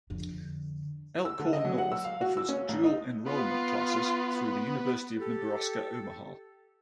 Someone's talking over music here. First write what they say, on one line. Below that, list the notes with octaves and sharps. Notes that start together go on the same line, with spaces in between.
Elkhorn North offers dual enrollment classes through the University of Nebraska Omaha.
F2 D3
E6
D3
D#5
F#3
F#5
E6
F5
F#4
E6
C#4
A1
D#4
B3 F4
G4 A4